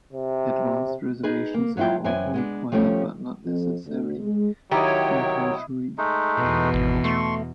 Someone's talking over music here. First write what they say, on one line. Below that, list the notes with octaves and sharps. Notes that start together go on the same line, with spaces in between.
Advance reservations are often required but not necessarily compulsory.
C3
D#4 G#4 B4
A#3
F#3 B3 E4 F4 G5
F#2 E3 C4 E4 G#5
G#3 B3 D4
F3 G3 A3 C#4 G4
F2
D2
G#3
D#3 F#3 E4 G4 C#5 D#5 G5
G#3 A3 D#4
E2 B2
G#1
A3 C6 C#6